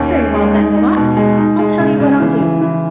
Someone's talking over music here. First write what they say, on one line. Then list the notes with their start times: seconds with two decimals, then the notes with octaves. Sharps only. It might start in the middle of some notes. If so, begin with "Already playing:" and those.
Very well, then, Wilmot, I'll tell you what I'll do.
Already playing: D#2 A#3 C#4
0.13 C#4
0.34 G#3
0.54 D#4
0.76 D#4
0.97 B2
1.17 G#3
1.38 D#4
1.59 G#3
1.79 C#3
2.00 C#3
2.20 E3
2.41 E3
2.61 E3